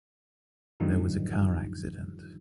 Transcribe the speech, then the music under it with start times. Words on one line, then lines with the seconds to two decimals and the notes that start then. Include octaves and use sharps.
There was a car accident.
0.80 F#2 A2 D3 D#3 F3 G3